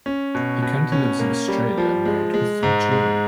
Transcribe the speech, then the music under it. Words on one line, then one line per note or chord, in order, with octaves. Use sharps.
He currently lives in Australia, married with three children.
C#4
B2
B2
C#4
A#3
G3
F3
G#3
G#3
G#2
G#3